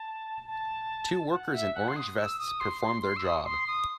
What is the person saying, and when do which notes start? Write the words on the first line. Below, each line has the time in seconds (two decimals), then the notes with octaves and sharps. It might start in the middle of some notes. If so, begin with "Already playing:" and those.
Two workers in orange vests perform their job.
Already playing: A5
0.47 A5
1.32 F#5
1.54 E5
1.75 F#5
1.88 C6
1.96 D#6
2.18 E6
2.39 D#6
2.60 C6
2.82 C6
3.02 C6
3.16 E6
3.25 D#6
3.45 C6
3.67 D#6